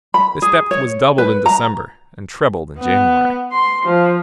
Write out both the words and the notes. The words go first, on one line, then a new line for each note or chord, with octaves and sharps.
This depth was doubled in December, and trebled in January.
B5
G#4
C#5
B4
A#5
B3
C6
F3